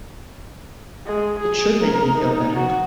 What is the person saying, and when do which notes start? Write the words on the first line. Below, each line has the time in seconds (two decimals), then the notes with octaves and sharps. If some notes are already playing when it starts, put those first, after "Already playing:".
It should make me feel better.
1.06 G#3
1.39 G#4
1.83 A#4
2.18 D#4
2.56 F#4